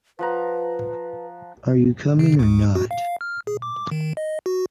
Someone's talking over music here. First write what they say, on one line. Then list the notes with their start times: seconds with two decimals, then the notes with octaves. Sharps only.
Are you coming or not?
0.19 F3 B4 F#5 A#5
2.19 C#3
2.39 D2
2.75 F#4
2.91 F5
3.21 F6
3.47 G#4
3.62 D6
3.91 D#3
4.17 D#5
4.46 F#4